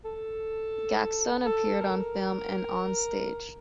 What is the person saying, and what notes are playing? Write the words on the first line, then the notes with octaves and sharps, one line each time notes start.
Gaxton appeared on film and onstage.
A4
A4
A#4